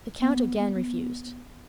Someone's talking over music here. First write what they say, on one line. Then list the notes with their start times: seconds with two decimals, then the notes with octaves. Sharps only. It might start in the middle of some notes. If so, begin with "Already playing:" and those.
The count again refused.
0.20 B3